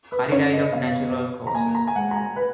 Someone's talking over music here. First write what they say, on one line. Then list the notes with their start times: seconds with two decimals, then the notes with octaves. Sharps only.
Curry died of natural causes.
0.12 B4
0.32 C#4 C#5
0.53 D#5
0.72 B3 F5
1.47 A#5
1.55 A#3 G#5
1.75 A#5
1.87 G#5
1.96 G#3 F#5
2.11 A#5
2.16 G#5
2.36 B4